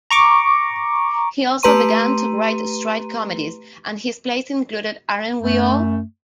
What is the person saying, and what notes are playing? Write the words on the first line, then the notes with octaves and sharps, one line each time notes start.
He also began to write straight comedies, and his plays included Aren't We All?
A#5 C#6 D6
A3 G4 B4 A#5 C6 D#7
F#2 A3